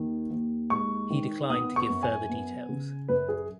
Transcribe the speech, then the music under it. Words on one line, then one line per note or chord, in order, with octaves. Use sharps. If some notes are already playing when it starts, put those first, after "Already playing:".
He declined to give further details.
Already playing: D#2 D#3
D#2
G#3 C#6
D#3
B3 D#6
C#6
F#2
G#5
B3
C#3
F#2 B4
G#4